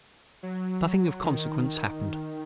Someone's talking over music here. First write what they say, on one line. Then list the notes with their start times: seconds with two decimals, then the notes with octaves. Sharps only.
Nothing of consequence hapened.
0.43 F#3
1.23 D#3